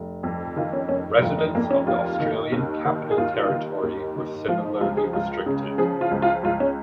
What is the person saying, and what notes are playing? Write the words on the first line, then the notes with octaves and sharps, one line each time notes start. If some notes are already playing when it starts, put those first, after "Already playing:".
Residents of the Australian Capital Territory were similarly restricted.
Already playing: F1
F2
D#3 F4
C#4
F1 C#4
F1 F4
D#4
F2 A#3
C#4
D#2 F4
D#3
D#2
D#3
G#4
D#2 F4
D#3
D#2
D#3
F3 F4
D#4
C#2 F4
G#4
C#2 F4
C#3
F3 G#4
F4
C#2
F4
C#2 F4
C#4